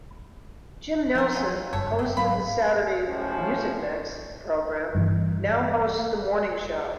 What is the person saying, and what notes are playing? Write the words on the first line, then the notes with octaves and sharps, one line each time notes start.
Jim Nelson, host of the Saturday "Music Mix" program, now hosts the morning show.
F3 F4 A#4
F#3 C#4 F4
F#1 G2 G3 A4 C#5
F#3 G4
G#2 F#3 F5 B5
F#2 A2 F3 C#4
G2 E3